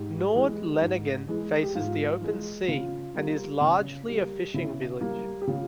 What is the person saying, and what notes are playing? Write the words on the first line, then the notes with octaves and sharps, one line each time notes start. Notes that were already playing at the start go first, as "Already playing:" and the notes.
Nord-Lenangen faces the open sea, and is largely a fishing village.
Already playing: G#2 G4
E3 G#3
G#2
E3 G#3
G4
G#2 F4
E3 G#3
C#3 F4
G3 A#3
C#3
G3 A#3
C#3 E4
G3 A#3
G4
C#3 F4